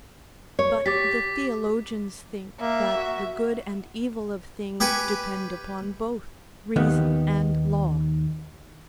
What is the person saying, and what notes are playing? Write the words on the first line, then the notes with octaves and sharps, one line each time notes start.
But the theologians think that the good and evil of things depend upon both reason and law.
C#5
G4 D6 A6 B6
A#3 E5
F#4
G4 B4 G#5 C#6
D#2 D#3 B3